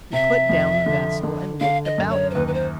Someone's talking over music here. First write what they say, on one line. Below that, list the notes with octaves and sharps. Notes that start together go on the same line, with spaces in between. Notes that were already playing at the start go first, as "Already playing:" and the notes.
He put down the vessel and looked about him.
C3 E5
F2
D3
D3
D3 F5
D#5
F#2
C#5
C5
D#2 B4
B4
C5